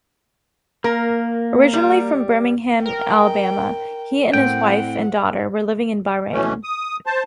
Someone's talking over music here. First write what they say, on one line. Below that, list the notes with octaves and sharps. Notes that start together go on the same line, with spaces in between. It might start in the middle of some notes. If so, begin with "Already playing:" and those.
Originally from Birmingham, Alabama, he and his wife and daughter were living in Bahrain.
A#3 A#4
G3
A#4 G5
A2 C4 F#5 G5
B2 E3 A3 C#4
D#6
C5 A5